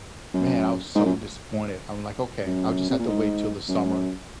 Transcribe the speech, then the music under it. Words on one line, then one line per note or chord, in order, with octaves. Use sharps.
man, I was so disappointed, I'm, like, "Okay, I'll just have to wait till the summer
F#2
G#2
F#2
F#2
C3
A#2
G#2
F#2